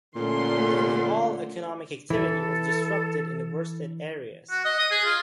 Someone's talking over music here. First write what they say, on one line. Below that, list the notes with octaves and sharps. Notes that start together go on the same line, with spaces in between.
Nearly all economic activity was disrupted in the worst-hit areas.
A#2 D3 A3 C#4 C6
E3 A4
F#4
D#5
D#6
G#4
F4